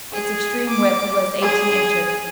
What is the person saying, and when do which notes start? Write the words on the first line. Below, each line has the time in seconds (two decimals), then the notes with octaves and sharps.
Its extreme width was eighteen inches.
0.12 G#4
0.69 D6
1.42 G#4